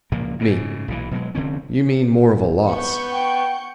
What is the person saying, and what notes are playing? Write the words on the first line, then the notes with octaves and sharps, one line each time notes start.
ME: You mean more of a loss.
C#2 A#2 F3 A#3
G#2 C#3
B1 A#2 E3
B2 F#3 G#3
F1 D3 C4 C#4
B3 F#5 C#6 G6
G5